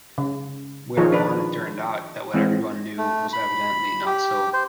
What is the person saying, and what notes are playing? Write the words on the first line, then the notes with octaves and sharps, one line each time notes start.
Whereupon, it turned out that what everyone knew was evidently not so.
C#3
D#3 F3 F4 G#4 C#5
D4 B4
E3 G#3 C4
A3
B5
G4
C5